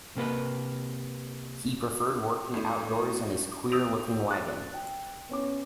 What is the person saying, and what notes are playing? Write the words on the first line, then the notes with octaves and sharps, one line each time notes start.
He preferred working outdoors in his queer-looking wagon.
C3 A#3 B4
A2
D#6 E6 G6 D7 F7
F#6 A6
G5
B3 C#4 D6